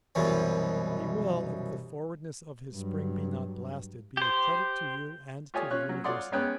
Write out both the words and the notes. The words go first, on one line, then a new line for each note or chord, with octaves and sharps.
He will, if the forwardness of his spring be not blasted, be a credit to you, and to the University.
C2 F#2 B2 E3
G2 F#3
G4 C5
F4 G4 C#5 D5 G#5 D#6
C#4 F4 C#5 C#6 F#6
F#3 C#4
F4 C#5 D5 F#5 C6 D#6
G#3 B3 C#4 G5 D#6 F#6